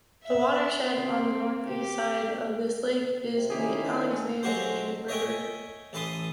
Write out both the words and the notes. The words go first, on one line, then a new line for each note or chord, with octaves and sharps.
The watershed on the northeast side of this lake is the Alexandrine River.
E5
C4
G4
C3
D#3 C#4 E4 G4 G#4
D4
A3
F#3 G#3 C4 F#4 G4 C5
C#5 D#5 E5 G5 G#5 C#6
A1 A4 B4 A5 C6 D#6